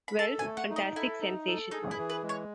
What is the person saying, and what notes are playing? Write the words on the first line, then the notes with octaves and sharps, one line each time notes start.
Wells' Fantastic Sensation.
B5
A4 A5
G#5
A3
F#5
D#4
D#5
E4 A4
D#4
A4
D#4 G#4
E4
E3
B4
G#3
C#5